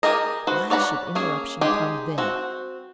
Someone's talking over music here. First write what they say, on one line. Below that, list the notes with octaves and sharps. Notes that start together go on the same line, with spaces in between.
Why should interruption come then?
G4 G#4 A#4 D#5
F#4 B4 C5
C#5 D5 F#5 A#5 B5
A#3 C#4 G#4
G#3 D#4 G4 G#4
C4 F#4